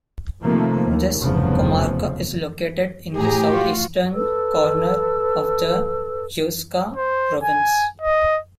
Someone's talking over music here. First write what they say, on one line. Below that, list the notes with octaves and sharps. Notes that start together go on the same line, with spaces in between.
This comarca is located in the southeastern corner of the Huesca province.
C3 D#3 F3 A3 A#3
D#2
F1 E2 G2 C#3 F3
A2 G4 G#4 A#5
F4 F#4
A4 B4 E6
C5
G#5
D#5